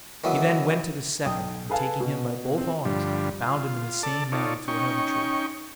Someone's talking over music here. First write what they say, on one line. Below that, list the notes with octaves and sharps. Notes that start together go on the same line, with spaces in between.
He then went to the second, and taking him by both arms, bound him in the same manner to another tree.
D#3 E3 F#3 B3
B1 G5 D#6
G#4 A4 B4 F5 G#5 A5
B2
F3 C4
G2 D3 F3 G3
F4
A4 D5 A5
D#4 F4 A4 C#5 D5
C#4 D#4 G5 C#6